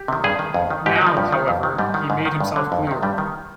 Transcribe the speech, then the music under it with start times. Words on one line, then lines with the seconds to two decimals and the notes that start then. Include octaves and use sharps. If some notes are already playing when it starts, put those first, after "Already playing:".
Now, however, he made himself clear.
Already playing: G4
0.08 C3 D#3
0.24 G2 G#4
0.39 D#3
0.54 F2
0.70 D#3
0.86 G#2 G4
0.96 D#4
1.01 D#3
1.07 F3
1.17 G2
1.32 D#3
1.48 F2
1.63 D#3
1.78 G#2 G3
1.94 D#3
2.10 G#2
2.26 D#3
2.41 G2
2.56 D3
2.72 F2
2.87 C3 D#3
3.02 G2 G3
3.18 D#3